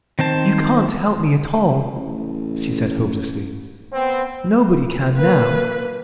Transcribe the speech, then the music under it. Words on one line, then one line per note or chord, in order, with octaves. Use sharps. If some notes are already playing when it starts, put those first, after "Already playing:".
"You can't help me at all," she said hopelessly, "nobody can now."
D#3 C4 C5 A5
A1
B3 C4
A#3 B4